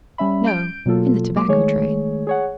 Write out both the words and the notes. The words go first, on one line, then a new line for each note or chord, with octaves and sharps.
'No, in the tobacco trade.'
G3 C#4 E5 B5
G6 D7
B2 F#3 A#3 F4 A4
F#3 A#3 D6
D#3 G#3 A3 G#4 C#5
G#4 C#5 F#5